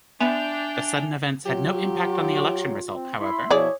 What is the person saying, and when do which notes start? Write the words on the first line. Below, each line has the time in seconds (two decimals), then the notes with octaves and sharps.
The sudden events had no impact on the election result, however.
0.21 B3 D4 E5 G5 G#5 F7
1.46 F#3 F4 G4
2.95 C4
3.21 E4 B5 C6
3.50 B2 F3 E4 G#4 C#5 D5